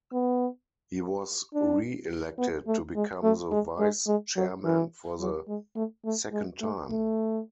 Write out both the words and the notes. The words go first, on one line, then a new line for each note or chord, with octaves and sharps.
He was re-elected to become the vice-chairman for the second time.
B3
D4
B3
A3
G#3
A3
G#3
G#3
G#3
F#3
E3
F#3
G#3
A3
A3
G#3
A3
A3